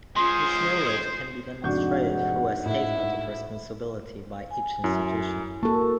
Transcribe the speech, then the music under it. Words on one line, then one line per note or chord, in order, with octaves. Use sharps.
This knowledge can be demonstrated through a statement of responsibility by each institution.
G#3 C#4 F4 G#4 C5 C6 D#6
F1 G#2 D4 F#4 D5 F#5 C#6 G6
A2 E4
G#5
F#2 E4
A#3 F#4 A4 A#4 A5 C#6